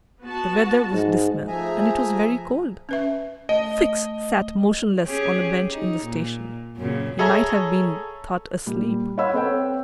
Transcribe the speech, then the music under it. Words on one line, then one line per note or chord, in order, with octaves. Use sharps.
The weather was dismal, and it was very cold. Fix sat motionless on a bench in the station; he might have been thought asleep.
B3 F#4 A5
G#2
F3 A3 G#4 E5 G#5 A#5
C#4 B4 E5
A3 D#5
C#4 G4 G#4
D#4
A#2
F#2 A#2 C#3
G#4 A4 C#5 E5 A#5
A#2 G3
C#5 F5 F#5 B5 E6
C4 A4 B4 C#5 F#5 G5